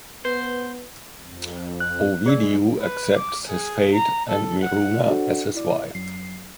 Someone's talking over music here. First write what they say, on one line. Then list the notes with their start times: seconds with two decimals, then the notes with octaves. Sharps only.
Ovidiu accepts his fate and Miruna as his wife.
0.25 B3 B4 C5
1.20 F2
1.80 F#6
2.26 G#3 G#4 D5 E6
2.81 B4
3.18 D6
3.49 G#4
3.92 A#5
4.30 A4
4.62 F#5
5.09 D4 F#4 A4 C5 D5 F#5
5.55 E4 D5 D6
5.94 F#2 F#3 C7